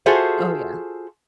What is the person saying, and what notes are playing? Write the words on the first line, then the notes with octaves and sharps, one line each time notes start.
Oh yeah.
F4 F#4 G#4 A4 C5 E5